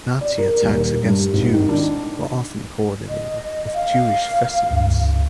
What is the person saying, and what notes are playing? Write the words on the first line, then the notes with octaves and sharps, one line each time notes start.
Nazi attacks against Jews were often coordinated with Jewish festivals.
D5
A#4
D#1
A#4
G2
G#1
D#3
D4
D#5
F5
C#2 G2